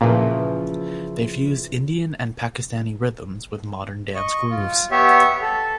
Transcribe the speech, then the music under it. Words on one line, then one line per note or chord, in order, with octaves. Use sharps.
They fused Indian and Pakistani rhythms with modern dance grooves.
A#2 C#3 E3 F3
D#5 C#6
F4
B3 G4 C#5 E5
A4